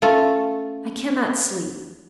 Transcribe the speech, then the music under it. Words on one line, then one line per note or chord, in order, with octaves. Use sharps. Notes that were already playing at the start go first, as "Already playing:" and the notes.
I can not sleep.
A3 C#4 F4 A4